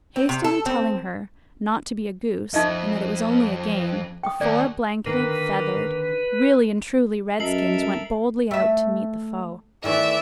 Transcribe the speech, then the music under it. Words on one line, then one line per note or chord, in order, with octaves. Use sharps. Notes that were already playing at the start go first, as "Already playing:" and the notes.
Hastily telling her not to be a goose, and that it was only a game, the four blanketed, feathered, really and truly Redskins went boldly out to meet the foe.
C4
C3
A4
C4
F2 D#4 D#5 E5
G5 D#6
D#2 D5
D3 D#3 A#3 B4
F#2 A4 A#4 D#5 E5 C7 F#7
A3 E5
D#3 E3 A3 D5 E5